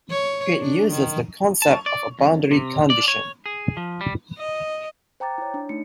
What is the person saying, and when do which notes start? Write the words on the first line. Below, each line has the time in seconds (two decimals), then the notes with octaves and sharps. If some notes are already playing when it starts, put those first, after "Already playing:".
It uses the concept of a boundary condition.
0.11 C#5
0.58 D4
0.91 D#3
1.62 A5
1.86 D5
2.19 F2
2.51 C3
2.90 D5
3.08 C#5
3.46 G#4
3.77 F3
4.01 G3
4.38 D#5
5.20 C5 G5 A#5 D6 A6
5.38 E4 C#5
5.54 D4
5.69 A3 D4 D#4 C#7